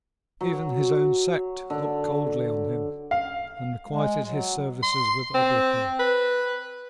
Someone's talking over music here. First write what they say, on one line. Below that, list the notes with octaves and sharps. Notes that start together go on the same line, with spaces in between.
Even his own sect looked coldly on him, and requited his services with obloquy.
F#3
D3
F5
G#3
F#3
C6
C4
B4